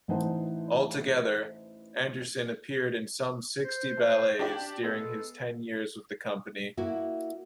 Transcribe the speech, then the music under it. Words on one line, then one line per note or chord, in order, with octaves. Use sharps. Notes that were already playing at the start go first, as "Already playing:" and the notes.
Altogether, Andersen appeared in some sixty ballets during his ten years with the company.
A1 E3 D#4 C5 F#5 A5
C5
A3
D4 G4 D5
G#3 B3 A4
A#3 E4 F#4